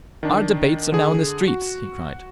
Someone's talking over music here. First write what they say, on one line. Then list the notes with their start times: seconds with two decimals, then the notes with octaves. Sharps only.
"Our debates are now in the streets," he cried.
0.23 D#3 D4
0.92 D3 G#4
1.48 F#4